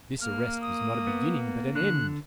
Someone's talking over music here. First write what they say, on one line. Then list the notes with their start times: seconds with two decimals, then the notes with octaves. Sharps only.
This arrest was not a beginning, but an end.
0.21 A#3 F6
0.61 D#6
1.07 B3
1.75 D3 F#6